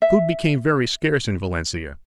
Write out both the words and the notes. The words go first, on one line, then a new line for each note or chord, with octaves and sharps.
Food became very scarce in Valencia.
E5